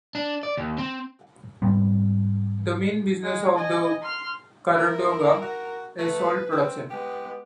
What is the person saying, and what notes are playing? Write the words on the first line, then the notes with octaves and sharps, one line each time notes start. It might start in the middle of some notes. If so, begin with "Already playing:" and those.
The main business of the Kharaghoda is salt production.
D4
D5
D#2
C4
G#2 G3 B3 C4
G#3
D#5 G#5
C6 F6
E4 A#4
F#4
A3 B4
C4
G#3 B3 G4